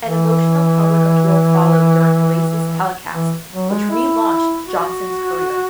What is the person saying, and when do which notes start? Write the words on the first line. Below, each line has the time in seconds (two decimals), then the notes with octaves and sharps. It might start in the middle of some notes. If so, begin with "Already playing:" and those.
An emotional public appeal followed during the race's telecast which re-launched Johnson's career.
0.05 E3
3.13 E3
3.53 F#3
3.71 G#3
3.91 E4
4.68 F#4